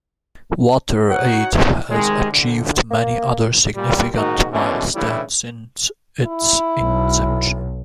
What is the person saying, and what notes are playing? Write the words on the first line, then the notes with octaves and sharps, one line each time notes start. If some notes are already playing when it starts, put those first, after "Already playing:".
WaterAid has achieved many other significant milestones since its inception.
D#4 F#4 C#5 F#5
E2 A2
C3 D#3 G#3
C2 D3
A#3
A#2 G3
G#2 D#3 A#3 D#4 F#4
A#1 F#2 B2 D3 E3 C#4
G2 C#3 E3 G3 A3 E4
E4
B1